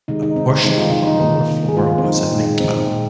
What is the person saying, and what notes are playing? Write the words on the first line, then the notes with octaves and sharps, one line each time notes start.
A portion of the lower floor was a nightclub.
C3 D#3 G#3 D#4
D#4
C4
C4
C3 D#3 G#3 D#4
F4
D#4
D#4
D#3 A#3
G#4
D#3 A#3 F4
C4
D#4
A#2 G#3 D#4
D#4
C4
D#4
A#2 G#3